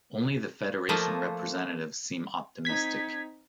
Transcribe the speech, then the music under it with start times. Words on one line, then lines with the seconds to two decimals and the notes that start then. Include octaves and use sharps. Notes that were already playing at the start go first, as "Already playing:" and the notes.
Only the Federation representatives seem optimistic.
0.89 F3 A3 A#3 D#5
2.65 C4 D#4 G#6 B6